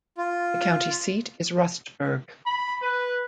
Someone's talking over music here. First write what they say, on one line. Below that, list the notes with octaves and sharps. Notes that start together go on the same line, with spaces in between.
The county seat is Rustburg.
F4
B5
B4